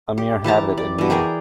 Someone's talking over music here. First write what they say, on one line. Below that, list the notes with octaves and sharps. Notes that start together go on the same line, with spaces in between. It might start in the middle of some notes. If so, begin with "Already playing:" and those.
A mere habit in me.
G4
E3 G4 A5 A#5
D5
B2 E3
G#4 A#4 D5 G5